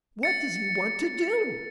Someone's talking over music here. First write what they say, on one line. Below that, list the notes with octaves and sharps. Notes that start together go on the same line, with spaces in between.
"What does he want to do?"
A6 C#7